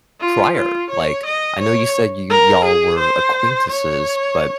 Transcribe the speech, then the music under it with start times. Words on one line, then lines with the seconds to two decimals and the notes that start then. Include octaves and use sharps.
prior? Like, I know you said y you y'all were acquaintances, but,
0.20 F4
0.56 F4
0.90 C#5
1.26 D#5
1.61 C#5
2.30 A#4
2.65 G#4
2.99 C5
3.70 C#5